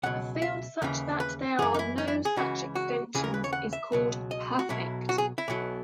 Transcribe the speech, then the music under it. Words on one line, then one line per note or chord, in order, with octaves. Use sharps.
A field such that there are no such extensions is called "perfect".
C#2 B2 F#3 F#5
E5
D#2 C#3 E3
B4
F#2 E3 G#4
D#4
E4
D#4
E4
G#4
C#2 C#3 E3 F#4
F#4
D#2 C#3 E3 G#4
A#4
B4
C#5
F#5
E5
C#2 B2 F#3
D#5
F#4
B1 B2 F#3 E4
F#4
G#4
E4
B1 B2 F#3